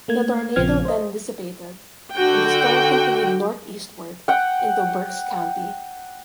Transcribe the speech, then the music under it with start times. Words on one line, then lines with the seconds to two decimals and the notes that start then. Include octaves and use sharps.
The tornado then dissipated, and the storm continued northeastward into Berks County.
0.08 A3 A#3 G#6
0.56 A#1 C#3 F3 C4 F6 G#6
0.85 C5 D#5
2.16 D3 F#4 G5
4.28 F#5 G5